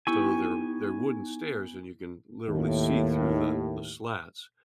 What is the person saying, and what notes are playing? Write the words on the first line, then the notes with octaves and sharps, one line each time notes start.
so, they're they're wooden stairs, and you can literally see through the the slats.
B3 D#4 E4 G4 G5 G#5 C#6
D#2 A2